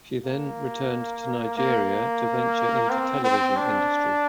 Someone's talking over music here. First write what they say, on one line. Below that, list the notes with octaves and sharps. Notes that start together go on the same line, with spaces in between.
She then returned to Nigeria to venture into television industry.
A#3
A#3
C4
C4
D4